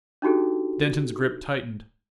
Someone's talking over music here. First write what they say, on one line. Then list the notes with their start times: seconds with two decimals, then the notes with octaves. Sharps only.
Denton's grip tightened.
0.22 D4 D#4 F#4 G4 A4